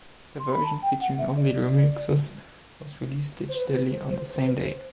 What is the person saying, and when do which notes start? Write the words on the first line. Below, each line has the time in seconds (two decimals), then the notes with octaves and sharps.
A version featuring only the remixes was released digitally on the same day.
0.40 C6
0.52 B5
0.64 A5
0.83 G5
1.01 F#5
1.18 E5
1.37 D5
3.49 C5
3.56 B4
3.74 B4
3.93 C5
4.11 C5
4.29 C5
4.42 C5
4.47 B4
4.66 C5